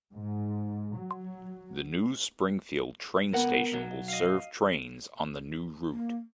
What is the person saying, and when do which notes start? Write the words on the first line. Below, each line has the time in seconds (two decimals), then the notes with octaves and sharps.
The new Springfield train station will serve trains on the new route.
0.13 G#2
0.97 F#3
3.33 C#2 B3 A#4 F#5
3.72 B1 F#3
4.08 D#5 F5
5.91 A#3